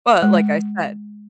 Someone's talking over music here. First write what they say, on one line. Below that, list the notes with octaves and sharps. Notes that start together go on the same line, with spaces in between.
But like I said,
G#3